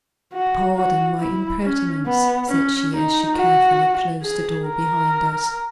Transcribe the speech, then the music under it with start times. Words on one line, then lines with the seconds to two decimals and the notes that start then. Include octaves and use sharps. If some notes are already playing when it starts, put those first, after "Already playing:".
"Pardon my impertinence," said she, as she carefully closed the door behind us.
0.33 F#4
0.76 F#4
1.19 E4
1.63 C#4
2.06 B3
2.49 C#4
2.93 D#4
3.36 F#4
4.23 G#4
4.67 A#4